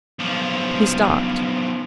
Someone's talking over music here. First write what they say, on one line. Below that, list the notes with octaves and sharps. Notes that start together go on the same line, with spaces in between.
He stopped.
B1 F3